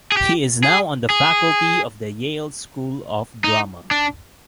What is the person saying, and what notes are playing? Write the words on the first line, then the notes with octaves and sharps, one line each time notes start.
He is now on the faculty of the Yale School of Drama.
G#4
G4
G#4
G#4
D#4
D4